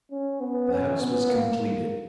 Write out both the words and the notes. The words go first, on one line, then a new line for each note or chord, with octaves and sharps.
The house was completed.
C#4
B3
C#4
B3
A#3